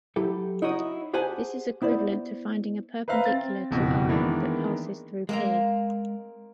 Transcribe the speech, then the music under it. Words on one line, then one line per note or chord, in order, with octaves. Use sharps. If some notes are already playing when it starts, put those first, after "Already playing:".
This is equivalent to finding a perpendicular to "l" that passes through "p".
F#3 E4 G4 A4
D#4 E4 F#4 C#5 D#5
G4 G#4 C5 F#5 G#5 A5
B3 E4 C5 D5
B4 C5 E5 F5 A#5
C4 A6
F#1 F2 B2 F#4
D#3 E3 G#3 A#3 B3 D4
G#3 A#3 C4 A#5